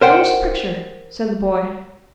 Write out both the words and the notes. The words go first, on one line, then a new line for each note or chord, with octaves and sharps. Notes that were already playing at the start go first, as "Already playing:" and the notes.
'Show us a picture,' said the boy.
A#4 C5 F#5 G5